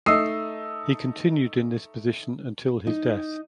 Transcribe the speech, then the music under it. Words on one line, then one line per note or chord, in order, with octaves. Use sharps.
He continued in this position until his death.
A3 D#4 D#6 E6 C7
D#4